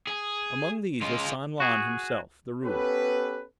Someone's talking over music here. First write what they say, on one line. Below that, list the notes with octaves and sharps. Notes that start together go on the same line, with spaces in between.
Among these was San-Lan himself, the ruler.
G#4
G#3 F4
F#4 G#4
B3 C#4 G4 A4 B4